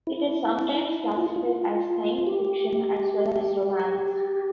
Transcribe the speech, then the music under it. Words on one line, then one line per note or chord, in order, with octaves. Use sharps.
It is sometimes classified as science fiction as well as romance.
E4
F4
E4
F4
G4
G4